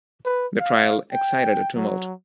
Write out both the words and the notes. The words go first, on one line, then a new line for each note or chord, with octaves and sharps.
The trial excited a tumult.
B4
F5
G5
F#3